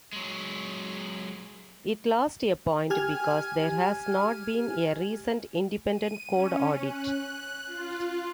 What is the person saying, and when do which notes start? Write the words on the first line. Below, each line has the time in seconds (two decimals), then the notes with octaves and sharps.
It lost a point because there has not been a recent independent code audit.
0.13 F#3 G#3
2.90 G4 G#5 F6 G#6
5.90 D#7
6.31 C#4
6.82 F#6
7.67 F4